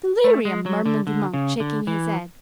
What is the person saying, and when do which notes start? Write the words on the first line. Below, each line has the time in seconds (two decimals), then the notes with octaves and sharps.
"Delirium!" murmured the monk, shaking his head.
0.24 A3
0.45 G#3
0.66 F#3
0.86 D3
1.07 D3
1.34 C#3
1.60 D3
1.87 E3